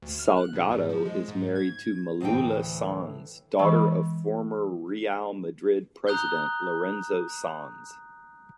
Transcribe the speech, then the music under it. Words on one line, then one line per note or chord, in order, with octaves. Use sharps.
Salgado is married to Malula Sanz, daughter of former Real Madrid president Lorenzo Sanz.
D2
F6
F#6
A#1
G#2
F3
G#3
G#2
G#6
D2 A2 E3 E4 G5
E3 G#3 C#6
A#5 D#6 F#6 G6 G7